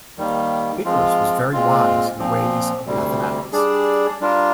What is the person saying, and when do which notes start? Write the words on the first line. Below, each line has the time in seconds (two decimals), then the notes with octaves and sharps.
Biggers was very wise in the ways of mathematics.
0.18 D#2 D#3 G3
0.85 F3 G#3 C4 F4
1.52 A#2 G#3 C4 F4
2.19 A#2 F3 C4
2.85 D2 C3 G3
3.53 G3 D4 G#4 D5
4.20 G3 D4 F4 A#4